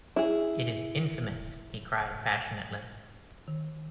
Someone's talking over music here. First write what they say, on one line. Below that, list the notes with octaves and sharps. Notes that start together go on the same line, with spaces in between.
"It is infamous," he cried passionately.
E4 G#4
D#3